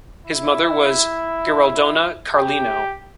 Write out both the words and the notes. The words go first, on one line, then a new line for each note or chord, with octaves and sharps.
His mother was Gueraldona Carlino.
E4
G4